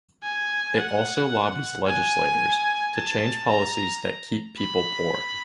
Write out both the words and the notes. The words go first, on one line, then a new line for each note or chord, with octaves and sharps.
It also lobbies legislators to change policies that keep people poor.
G#5
F#5
G#5
A5
A#5
B5